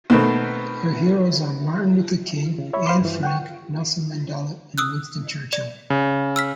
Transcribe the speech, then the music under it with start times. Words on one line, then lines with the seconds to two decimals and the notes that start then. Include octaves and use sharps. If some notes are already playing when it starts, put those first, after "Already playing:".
Her heroes are Martin Luther King, Anne Frank, Nelson Mandela and Winston Churchill.
0.10 B2 D#3 A3 B3 C4
2.58 C#3
2.73 C#5 E5 B5 C#6
2.86 C5 F5 B5 C6 D6
3.01 G2 E3
3.23 F#5 G5 C#6
4.78 D#6 E6 F#6
5.53 D5
5.90 C#3
6.36 E6 F6 B6